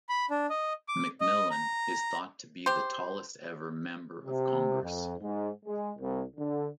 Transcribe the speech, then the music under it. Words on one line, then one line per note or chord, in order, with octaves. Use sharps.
McMillen is thought to be the tallest-ever member of Congress.
B5
D4
D#5
D6
D#5
A#5
G4 C5
C3
F2
G#2
G#3
C2
D3